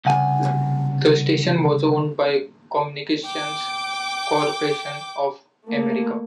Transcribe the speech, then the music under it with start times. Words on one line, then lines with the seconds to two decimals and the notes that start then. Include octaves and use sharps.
The station was owned by Communications Corporation of America.
0.05 C2 C#3 F#5 G#5
3.24 G5 D6
5.65 A3 A#3